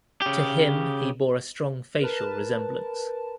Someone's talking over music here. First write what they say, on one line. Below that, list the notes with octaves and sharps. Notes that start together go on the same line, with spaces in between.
To him he bore a strong facial resemblance.
C#3 G4
A#4 B4 A5